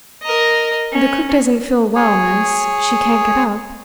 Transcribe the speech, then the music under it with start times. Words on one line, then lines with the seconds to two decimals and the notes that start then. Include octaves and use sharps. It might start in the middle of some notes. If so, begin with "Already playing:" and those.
'The cook doesn't feel well, miss; she can't get up.'
0.23 A#4 D#5
0.92 C#4
1.96 G#4 C#5